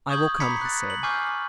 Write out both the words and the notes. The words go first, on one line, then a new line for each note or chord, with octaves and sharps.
"I will come," he said.
C#6 D#6 G6 G#6 F#7
A#5 B5 D6 G#6 B6 C#7
F#6 A6
F#7
G#5 C#6 D6 F6 G6 C7